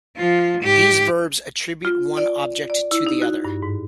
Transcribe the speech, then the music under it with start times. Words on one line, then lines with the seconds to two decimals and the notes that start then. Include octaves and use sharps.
These verbs attribute one object to the other.
0.17 F3 F4
0.61 G#2 G4
1.85 F4
2.17 D5
2.70 D5
2.91 E4
3.07 D#4
3.22 F#4
3.45 G2
3.62 G#2